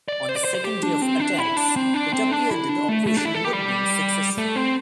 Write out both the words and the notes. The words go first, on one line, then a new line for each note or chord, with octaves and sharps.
On the second day of attacks, it appeared that the operation would be successful.
D5
C5
D5
C5
C5
G4
D4
C4
D4
E4
D4
C4
D4
C4
D4
E4
D4
A3
A3
D4
E4
A4
G4
G3
A3
C4